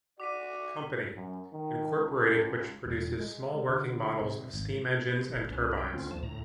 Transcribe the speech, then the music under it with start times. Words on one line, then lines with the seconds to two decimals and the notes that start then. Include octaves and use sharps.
Company, Incorporated which produces small working models of steam engines and turbines.
0.20 F#4 D5 D6 B6 D#7
1.16 F#2
1.53 D#3
1.95 C#2
2.86 E1
3.20 G#3
3.69 D3
4.21 C3
4.54 G#1
5.35 F#1
5.50 C2 C#4 B4
5.78 G5
5.93 D2 C4 C#4 F4
6.11 D#2 F3 A5
6.23 D2 A2 A#5